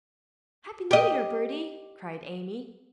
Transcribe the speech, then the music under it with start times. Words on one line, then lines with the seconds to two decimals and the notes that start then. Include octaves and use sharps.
"Happy New Year, Bertie," cried Amy.
0.91 G4 D#5